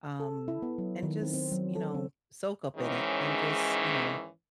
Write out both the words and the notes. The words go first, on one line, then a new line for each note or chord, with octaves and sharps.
Um, and just, you know, soak up in it and just, you know,
A4
E4
B3
F#3
D#3
C4
C4
F#3
A4
C4
G#2 D#3 E3 G#3 C#4